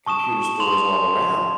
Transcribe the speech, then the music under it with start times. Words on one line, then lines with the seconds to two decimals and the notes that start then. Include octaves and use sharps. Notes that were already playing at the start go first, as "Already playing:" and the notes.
computer stores all around
0.06 A5 C#6 D#6 E7
0.60 C6 F7